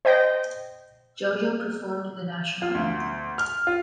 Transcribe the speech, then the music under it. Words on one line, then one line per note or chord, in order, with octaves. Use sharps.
JoJo performed the national anthem.
C5 D#5 G5 G6 A#6
F4
D2
F6
F4